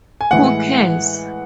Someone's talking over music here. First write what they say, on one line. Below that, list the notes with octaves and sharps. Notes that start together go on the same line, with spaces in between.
Who cares!
G#5
A2 E3 G#3 F#5